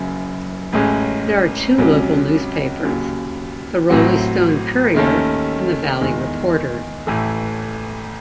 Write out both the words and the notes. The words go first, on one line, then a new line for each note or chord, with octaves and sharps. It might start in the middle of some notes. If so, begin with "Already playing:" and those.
There are two local newspapers: the Roleystone Courier and the Valley Reporter.
Already playing: F#1 F#2 C#3
A1 A2 G#3 C#4
C#2 C3 F#3 C#4
D#2 C#3 F#3
A1 A2 F#3 C4 F#4
D#2 D#3 A3 C#4
E2 D#3 G#3
A1 A2 E3 A3